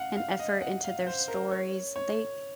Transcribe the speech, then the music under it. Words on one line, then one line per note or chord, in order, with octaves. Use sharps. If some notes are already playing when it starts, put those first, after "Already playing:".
and effort into their stories, they
Already playing: F5 F#5
F5
D#5
F#5
F5
C5
A#4
C#5
C#5